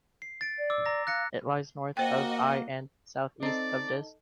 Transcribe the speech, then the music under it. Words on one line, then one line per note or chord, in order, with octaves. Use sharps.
It lies north of Eye and south-east of Diss.
C7
A6 D7
D5
D6 E6
A#5 A#6
F5 F#6 A#6 C#7
A#3 F#4 C5 D#5 G5
C4 D#4 A4 D5